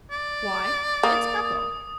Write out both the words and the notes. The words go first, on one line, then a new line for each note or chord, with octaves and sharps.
Why, it's Beppo.
D5
A#3 D#6